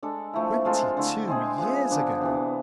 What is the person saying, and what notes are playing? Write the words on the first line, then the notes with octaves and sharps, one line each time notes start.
Twenty-two years ago!
G#3 D4 A4
F3 A3 E4
G#3 C4 F4 A4
D3 A3 E4
G#3 C4 G#4
F3 G#3 B3
D3 F3 B3 D4
C3 E3 B3